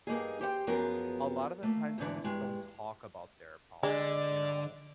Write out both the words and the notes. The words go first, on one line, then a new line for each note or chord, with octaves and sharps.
a lotta the times people just don't talk about their problems, you know?
G2 A#3 D#4 G#4
G4 C5 F#5 G5
F#2 F3 B3 G#4 A#4
A3 A#3
E2 G#2 D3 E3
G2 G#3
D3 G#3 D5